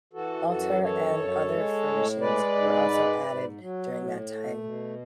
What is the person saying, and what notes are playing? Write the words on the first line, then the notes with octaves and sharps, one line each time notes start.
Altar and other furnishings were also added during that time.
E3 F#4 A4
F#2 F#4 A4
E3 A4 C#5
F#2
G#3
A2
G#3 B4 D5
G#2
G#3
G#2
F#3
A2
A3
B2